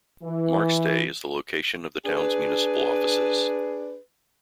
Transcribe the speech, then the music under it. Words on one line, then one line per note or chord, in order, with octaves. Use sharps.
Markstay is the location of the town's municipal offices.
E3
D4 G#4 B4